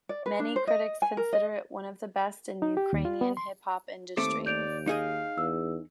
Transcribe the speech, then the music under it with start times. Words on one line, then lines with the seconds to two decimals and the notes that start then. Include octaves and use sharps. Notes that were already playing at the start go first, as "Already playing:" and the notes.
Many critics consider it one of the best in Ukrainian hip-hop industry.
0.09 D5
0.26 B4
0.40 D4
0.56 C5
0.67 D#5
1.02 G#5
1.17 A#4
1.33 D#5
2.62 D#4
2.77 G4
2.93 D#2
3.05 F4
3.21 B3
3.37 C6
4.17 D#2 A3 C4 A4 D6
4.46 D5 G6 D7 F7
4.87 D#4 G#4 D#5 F5
5.38 E2 E6